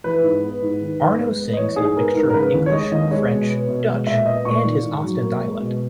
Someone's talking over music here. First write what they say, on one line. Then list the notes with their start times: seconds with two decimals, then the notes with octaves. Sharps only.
Arno sings in a mixture of English, French, Dutch and his Ostend dialect.
0.04 E3 B4
0.23 G#2
0.43 B3
0.62 G#2
0.81 D#3
1.00 G#2
1.19 G#3
1.38 B3
1.53 D#5
1.57 E3 C#5
1.76 G#2 G#4
1.96 B3 A#4
2.15 G#2 A#4
2.30 A#4
2.34 C#3 B4
2.54 D#2
2.66 C#5
2.72 G#3 D#5
2.92 D#2 D#5
3.11 G#3 C#5
3.30 B2
3.49 B3
3.68 B2
3.88 G#3
4.07 A#2 E5
4.26 B3 D#5
4.45 A#2 C#6
4.64 D#3
4.83 G#2
5.02 F#3
5.22 A#3
5.41 G#3
5.60 B2